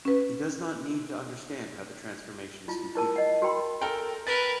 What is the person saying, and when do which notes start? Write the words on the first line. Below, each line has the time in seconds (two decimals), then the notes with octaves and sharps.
He does not need to understand how the transformation is computed.
0.05 C#4 B4
2.68 E4 F4
2.95 E4 A#4 A5
3.16 D#5 F#5
3.42 F#4 A#4 G5 B5 C6
3.81 A4 A#4 G5
4.27 A#4 B4 A6